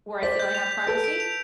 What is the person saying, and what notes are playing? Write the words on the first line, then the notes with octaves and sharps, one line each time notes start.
where I feel I have privacy.
C5 D5 B6
G6
F7
G6
A4 B4 D7
D7
F7